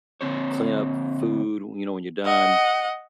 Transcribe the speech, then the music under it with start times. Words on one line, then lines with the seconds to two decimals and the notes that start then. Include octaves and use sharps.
clean up f food, you know, when you're done,
0.21 D3 A#3 C4 C5 C#5
2.25 D#5 F#5